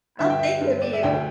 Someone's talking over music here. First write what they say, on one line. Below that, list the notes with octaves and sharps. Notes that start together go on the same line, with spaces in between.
I'll think of you.
G2 D3 E5
G5
E5
G2 D3
D5
E5
D2 D3 G5